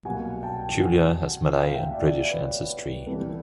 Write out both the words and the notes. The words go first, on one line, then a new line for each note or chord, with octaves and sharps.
Julia has Malay and British ancestry.
C2 B2 F#3 A#3 F#5 G#5
G5 A5
F#5 G#5
F5 G5
E5 F#5
D5 E5
B4 C#5
C2 C3 E3 G3 B3 A4 B4